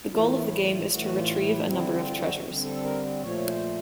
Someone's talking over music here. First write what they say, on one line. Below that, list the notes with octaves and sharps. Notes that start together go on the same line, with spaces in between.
The goal of the game is to retrieve a number of treasures.
A2 E3 A3 F4
E4
F4
A2 E3 A3 F#4
F4
E4
D3 G3 C4 E4
F4
F#4
D3 G3 C4
A4
A#4
A#2 F3 A3 C#5
C5